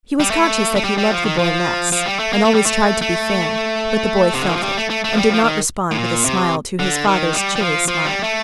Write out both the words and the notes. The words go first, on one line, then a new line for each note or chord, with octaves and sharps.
He was conscious that he loved the boy less, and always tried to be fair; but the boy felt it, and did not respond with a smile to his father's chilly smile.
G3
A3
A3
G3
G3
F3
D#3
F3
F3
G3
A3
A#3
A3
G3
A3
A3
C3
D3
D#3
F3
G3
A3
A3
A3
F3
G3
F3
D#3
A2
A#2
C3
D3
D#3
G3
G3
F3
F3
G3
A3